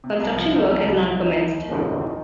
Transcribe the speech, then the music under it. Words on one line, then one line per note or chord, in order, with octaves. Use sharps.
Construction work has not commenced.
C3
C2
F3
D#4
C3
C2
F3
D#4
D#3
D#2
A#3
F4
D#3